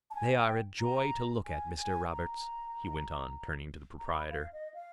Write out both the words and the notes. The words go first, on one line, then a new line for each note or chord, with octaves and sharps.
"They are a joy to look at, Mr. Roberts," he went on, turning to the proprietor.
A5
G#5
G5
A#5
G#5
G#5
A#5
A#5
B5
F5
D#5
F5